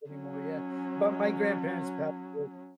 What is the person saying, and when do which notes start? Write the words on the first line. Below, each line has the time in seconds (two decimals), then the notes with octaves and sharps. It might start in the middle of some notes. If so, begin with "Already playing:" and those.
anymore, yeah. But my grandparents passed away.
0.10 F#3 C#4